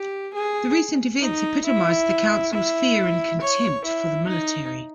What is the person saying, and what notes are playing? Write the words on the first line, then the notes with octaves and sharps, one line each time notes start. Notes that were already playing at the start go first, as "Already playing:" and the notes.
The recent events epitomised the Council's "fear and contempt" for the military.
Already playing: G4
G#4
D#4
E4
E4
C#5
E4
D#4